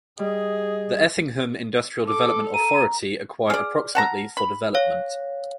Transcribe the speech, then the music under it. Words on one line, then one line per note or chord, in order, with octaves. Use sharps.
The Effingham Industrial Development Authority acquired approximately for development.
G3 G#4 D#5
A4 D6
A#5 D#7
G#4 D5 F6
F#5 A5 A#5
B5
C#5 F5